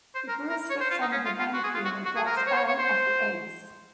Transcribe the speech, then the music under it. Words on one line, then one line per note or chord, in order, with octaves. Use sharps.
The girl slips on a banana peel and drops all of the eggs.
C5
A#4
A#4
C#5
C5
F4
D#4
C#4
F4
F4
F#4
G#4
F4
F#4
F#4
G#4
A#4
C5
C#5
C5
C#5
C#5
C5